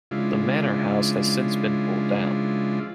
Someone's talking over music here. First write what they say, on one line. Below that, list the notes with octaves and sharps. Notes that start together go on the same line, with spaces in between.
The manor house has since been pulled down.
C#3 F3 G#3 D4 E4 F4